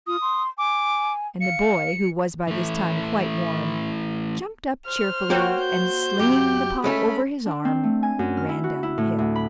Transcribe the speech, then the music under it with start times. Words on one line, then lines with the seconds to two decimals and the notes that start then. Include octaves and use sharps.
And the boy, who was by this time quite warm, jumped up cheerfully, and slinging the pot over his arm, ran down the hill.
0.07 F4 D#6
0.21 C6
0.58 G#5 D6
1.41 F5 C#7
2.47 E3 A3
4.87 C5 F6
5.30 A#3 F#4 C#5 G5
5.60 G6
6.19 F#2 G4
6.84 G#3 A3 C#4 A4 B5
7.46 D4
7.65 C4
7.83 A3
8.03 G#5
8.19 F#2
8.37 F6
8.49 E4
8.64 F#4
8.83 E4
8.98 A2
9.18 D2
9.35 B5